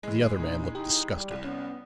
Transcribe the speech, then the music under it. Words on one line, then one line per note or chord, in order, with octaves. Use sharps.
The other man looked disgusted.
E3 G#3
A#2 D4 D#4
D#4 G4
G3
C2
B3 C#4